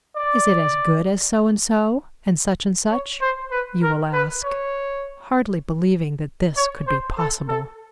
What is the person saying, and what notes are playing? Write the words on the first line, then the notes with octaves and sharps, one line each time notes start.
"Is it as good as SO-AND-SO and SUCH-AND-SUCH?" you will ask, hardly believing that this could be possible.
D5
C#5
C5
B4
A#4
B4
C#5
C#5
C5
A4
A4